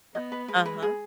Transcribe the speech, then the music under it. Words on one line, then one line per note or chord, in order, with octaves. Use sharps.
Uh uh-huh.
B3 D#5
B4
G#3 B4
B4
G#4